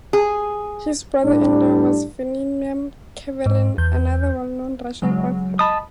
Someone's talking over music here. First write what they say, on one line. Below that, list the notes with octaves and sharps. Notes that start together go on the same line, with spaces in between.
His brother-in-law was Veniamin Kaverin, another well-known Russian author.
G#4
A2 G3 D4
G#2
E2 G6
C#3 F#3 G#3
D#5 A5 B5 D#6